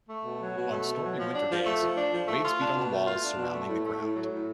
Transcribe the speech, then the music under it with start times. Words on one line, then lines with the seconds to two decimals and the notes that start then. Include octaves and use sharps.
On stormy winter days, waves beat on the walls surrounding the ground.
0.09 A3
0.25 B2
0.41 F#3
0.57 B2
0.72 A3
0.88 B2
1.03 F#3
1.19 F3
1.35 D4
1.50 F3
1.66 A3
1.81 F3
1.97 D4
2.12 F3
2.27 A3
2.44 F4
2.60 D4
2.75 B2
2.91 A3
3.06 F4
3.22 D4
3.37 B2
3.54 A3
3.68 A2
3.84 A3
4.00 A2
4.16 F#3
4.32 A2